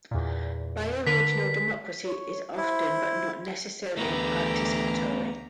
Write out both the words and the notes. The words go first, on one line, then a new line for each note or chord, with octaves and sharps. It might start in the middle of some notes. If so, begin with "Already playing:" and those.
Bioregional democracy is often but not necessarily participatory.
E2 A#2
D3 A#4 B4 B6
C#5
E4 C5
D2 E3 A3 B3 G4 B4 A#5